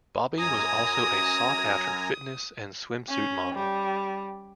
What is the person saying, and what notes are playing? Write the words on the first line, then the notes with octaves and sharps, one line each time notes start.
Bobbie was also a sought-after fitness and swimsuit model.
F#2 G#5 A#5 D#6
C#4
G3